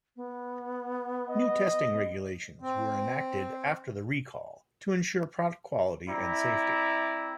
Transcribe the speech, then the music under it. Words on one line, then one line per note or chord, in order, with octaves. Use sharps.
New testing regulations were enacted after the recall to ensure product quality and safety.
B3
D#5
C4
C4 E4 D5 E5 A#5